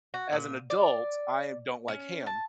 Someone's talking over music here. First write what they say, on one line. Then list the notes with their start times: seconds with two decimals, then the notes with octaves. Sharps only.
as an adult, I don't like ham,
0.14 F#4
0.33 A#2
0.70 D5
1.88 C#4
2.27 A5